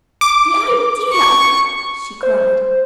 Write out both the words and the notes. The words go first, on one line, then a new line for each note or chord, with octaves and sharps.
"The idea!" she cried.
D6
C#6
C5